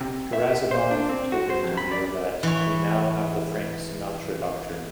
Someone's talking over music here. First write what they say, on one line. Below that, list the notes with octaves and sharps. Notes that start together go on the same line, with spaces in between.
Gerasimov told the interviewer that, We now have the Frank Sinatra doctrine.
C3
E5
C5
D4
C4
F#4
C5
F2
B5
D5
E3 C#5